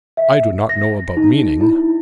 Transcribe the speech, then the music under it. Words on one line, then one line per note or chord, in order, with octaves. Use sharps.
'I do not know about meaning.
E5
A#6
D#4
E4